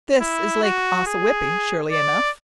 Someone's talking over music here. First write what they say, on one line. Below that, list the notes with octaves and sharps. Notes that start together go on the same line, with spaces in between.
This is Lake Ossawippi surely enough.
E4
F#4
G#4
D5